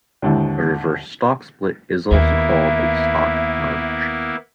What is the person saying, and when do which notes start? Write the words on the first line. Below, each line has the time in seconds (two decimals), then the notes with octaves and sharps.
A reverse stock split is also called a stock merge.
0.22 D#2 G#2 D3 E4
2.11 D#2 A#3 B3 E4 E5